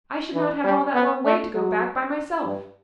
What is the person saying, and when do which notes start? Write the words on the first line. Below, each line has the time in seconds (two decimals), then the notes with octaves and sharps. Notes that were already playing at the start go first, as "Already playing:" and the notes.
"I should not have all that long way to go back by myself."
0.34 E3
0.64 G3
0.94 B3
1.25 A3
1.54 F#3
2.45 G2